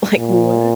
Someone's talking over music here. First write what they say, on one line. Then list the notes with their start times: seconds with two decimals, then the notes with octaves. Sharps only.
Like, what?
0.18 A#2